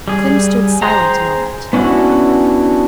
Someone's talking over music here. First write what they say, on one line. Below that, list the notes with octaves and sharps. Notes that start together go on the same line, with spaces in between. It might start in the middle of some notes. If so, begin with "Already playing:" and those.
Clym stood silent a moment.
G3 G#4
G#4 C5 G5 A#5
B3 C#4 D4 E4 F#4